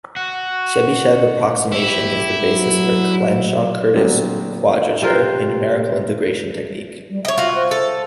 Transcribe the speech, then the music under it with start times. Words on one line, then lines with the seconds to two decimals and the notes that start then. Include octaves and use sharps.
Chebyshev approximation is the basis for Clenshaw-Curtis quadrature, a numerical integration technique.
0.17 F#4
1.72 E4 G4
2.41 F#3
3.95 A#2 D3 F#3 G3 B3 C4
5.02 C3 F4 A#4 C5
7.10 G3
7.25 C#5 D#5 E5
7.38 F4 F#4
7.55 C5
7.71 A4